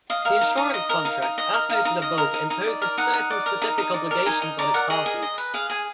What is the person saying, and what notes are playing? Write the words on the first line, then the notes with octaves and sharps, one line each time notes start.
The insurance contract, as noted above, imposes certain specific obligations on its parties.
D#5 F5
A#4 F5
D#4
D#4
D#5
A#4
D#4 F5
D#4
D#5
A#4
D#4 F5
D#4
D#5
A#4
D#4
D#4
D5
A#4
D#4 F#5
D#4
D5
A#4
D#4
D#4
D5
A#4
D#4 G#5
D#4
D5 A#5
A#4 F#5
G#4 D#5
G#4
D#5
B4
G#4 F5
G#4 G#5